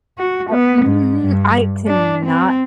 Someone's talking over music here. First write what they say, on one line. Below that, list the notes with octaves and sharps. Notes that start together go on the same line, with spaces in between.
Uh, mhm, I cannot
F#4
B3
G#2
G2
D4
C4